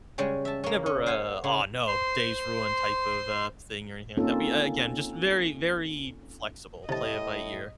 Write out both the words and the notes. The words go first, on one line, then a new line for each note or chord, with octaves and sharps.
never a, "Aw, no, day's ruined," type of, uh, thing or anything like that, but again, just very, very flexible, play it by ear.
C#3 G3 G#3 C#4
E5 A5
A#3 C#4
C#4
C5 F#5 G#5
C#3
C5 C6
A#3 C4 C#4 D#4 F4 A4
A2 C3 D#5 A5